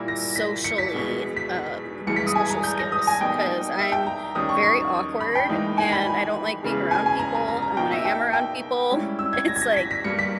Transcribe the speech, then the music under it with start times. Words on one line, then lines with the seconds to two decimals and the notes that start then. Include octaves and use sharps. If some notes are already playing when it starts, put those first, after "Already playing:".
socially um, social skills 'cause I'm very awkward, and I don't like being around people. And when I am around people, it's, like,
Already playing: A#2 G3 A#3 E4
0.08 A#6
0.36 B6
0.65 C#7
0.78 B6
0.93 E2 B2 G#3
1.36 B6
2.07 G2 E3 G#3 C#7
2.16 B6
2.27 D#6
2.35 G#5
2.50 A#5
2.64 G6
2.79 A#6
2.92 D#6
3.07 G#5
3.21 B2 G3 A#3 D#4 G5
3.78 E5
3.92 G5
4.07 A#5
4.35 D#2 D#3 G3 C#4 D#6
4.49 C#6
4.63 C#6
5.21 B5
5.35 G5
5.49 G#2 E3 A#3 D#4
5.78 G#5
5.92 B5
6.63 E2 C#3 G#3
6.91 G#5
7.06 G#5
7.19 A#5
7.35 A#5
7.48 A#5
7.62 A#5
7.77 B2 A#3 D#4 G5
7.92 E5
8.05 G5
8.33 G5
8.90 G#2 G3 C#4 E4
9.19 E6
9.33 G#6
9.48 A#6
9.56 G#6
9.62 A#6
9.76 B6
9.91 B6
10.04 G2 G3 A#3 C#7
10.19 B6